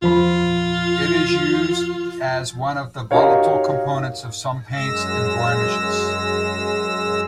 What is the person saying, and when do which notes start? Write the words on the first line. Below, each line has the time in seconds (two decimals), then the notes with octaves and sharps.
It is used as one of the volatile components of some paints and varnishes.
0.02 E2 F3 F4 B5
3.11 D#4 F#4 G4 A#4 C#5 F5
4.74 F#2 G#3 E6 A#6